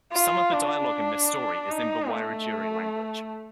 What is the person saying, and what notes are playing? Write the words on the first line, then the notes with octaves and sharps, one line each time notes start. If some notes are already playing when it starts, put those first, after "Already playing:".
Some of the dialogue in this story is in the Wiradjuri language.
F4
D4
D#4
A3